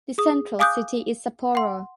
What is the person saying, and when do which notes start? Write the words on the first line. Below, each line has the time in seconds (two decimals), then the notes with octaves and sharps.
The central city is Sapporo.
0.18 G#4 D#6
0.59 F5 G#5 D6 D#6 F#6 G6
1.55 F#5 C6